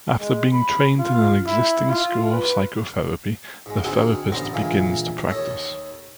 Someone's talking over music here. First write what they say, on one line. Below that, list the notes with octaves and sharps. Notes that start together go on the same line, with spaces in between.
After being trained in an existing school of psychotherapy, the therapist begins to practice.
G#3
B5
F4
E4
F4
B4
G#2 G#3
D2 C4 D#4 G#4 F#5
A1 D3 B3 C5 A#5
A#2 D3 E3 G#3 A#3
D#2 A4 C#5 D#5